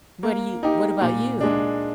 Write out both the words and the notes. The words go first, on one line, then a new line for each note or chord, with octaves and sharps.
What do you what about you?
A#3
D#4 G4
A#2
G#3 D4